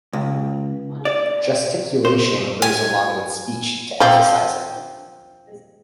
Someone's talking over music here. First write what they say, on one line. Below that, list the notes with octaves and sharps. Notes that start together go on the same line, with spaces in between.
Gesticulation goes along with speech to emphasize it.
C#2
D5
C5
G#5
F3 C4